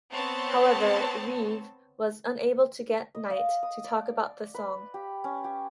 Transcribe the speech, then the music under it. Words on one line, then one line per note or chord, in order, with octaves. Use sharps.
However Reeve was unable to get Knight to talk about the song.
B3 C4 C#5 A5
D#5
F5
D#6
D5
B4
G4
C#4
G4